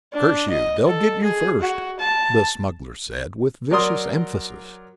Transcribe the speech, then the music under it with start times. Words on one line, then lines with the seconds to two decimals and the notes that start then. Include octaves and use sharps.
"Curse you, they'll git you first!" the smuggler said, with vicious emphasis.
0.13 D4
0.50 D#5
0.87 A4
1.23 G#4
1.61 F#4
1.99 A5
3.71 F#3 A#4 D5 C6 D#6